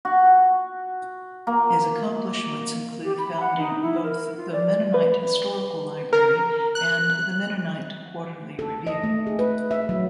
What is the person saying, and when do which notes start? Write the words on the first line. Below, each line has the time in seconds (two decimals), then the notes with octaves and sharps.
His accomplishments include founding both the Mennonite Historical Library and The Mennonite Quarterly Review.
0.05 F#4
1.47 A#3
3.04 G4
3.18 B5
3.40 F#5
3.58 D#4
3.82 E4
4.03 A#4
4.37 F4
4.52 D5
4.94 B4
6.13 A#4
6.75 F#6
8.59 A4
8.87 D#5
9.04 A3
9.27 G#4
9.39 B4
9.71 E5
9.89 F#3